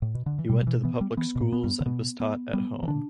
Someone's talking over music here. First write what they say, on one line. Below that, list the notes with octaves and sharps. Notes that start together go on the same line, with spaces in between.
He went to the public schools and was taught at home.
A2
B2
D3
E3
B2 G3
G3
E3
E3 B3
G3
E3 B3
B2
A2
B3
G2
D3
B2 B3
B3
G3 B3
E3
D3 D4